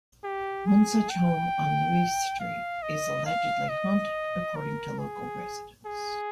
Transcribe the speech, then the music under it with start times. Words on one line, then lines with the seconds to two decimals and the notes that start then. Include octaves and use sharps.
One such home, on Louis Street, is allegedly "haunted," according to local residents.
0.24 G4
0.67 G#4
1.10 G5
2.39 F5
2.83 D#5
3.26 F5
3.69 D#5
4.56 A#4
4.99 G#4
5.86 G#4